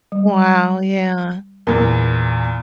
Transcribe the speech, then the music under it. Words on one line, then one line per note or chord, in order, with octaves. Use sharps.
Wow, yeah.
G3
E2 A#2 A#3 A#4